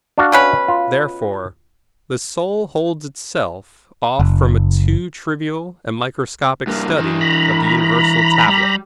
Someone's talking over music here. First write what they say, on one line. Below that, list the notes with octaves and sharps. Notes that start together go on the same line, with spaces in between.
Therefore the soul holds itself off from a too trivial and microscopic study of the universal tablet.
D4 F#4 F5
B2 C#4 B4
F4
F#1
G2 A#3
E3 D#5
A#5 B5
G3